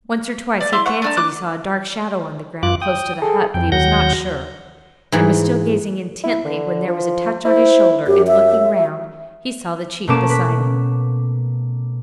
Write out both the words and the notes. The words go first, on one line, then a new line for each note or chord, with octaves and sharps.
Once or twice he fancied he saw a dark shadow on the ground close to the hut, but he was not sure, and was still gazing intently when there was a touch on his shoulder, and, looking round, he saw the chief beside him.
D5
E4 C6 D6
C#5 F#5
A3 D4 D#4
D6 F#6
F#2 F4 D6 F#6
G5 D#6
G#4 A4
F2 G5
D#2 F#3 F#5 G6 A#6
G#2 E3
E4
D3
F3
E4 C5
F#2 G4
E5
B2 A3 A#3 C#4 D6 E7
B4 B6